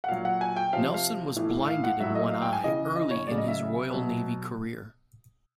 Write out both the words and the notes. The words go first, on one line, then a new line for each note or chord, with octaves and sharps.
Nelson was blinded in one eye early in his Royal Navy career.
F#5
A#2 F#3 F5
F#5
G#5
G5
C3 F3 F5
F5
A2 E3
F5
F#5
A2 F#3 E5
D#5
F5
G5
G#5
C#3 E3 D#5
D#5
C#5
C#3 F#3 D5
D#5
E5
B2 F#3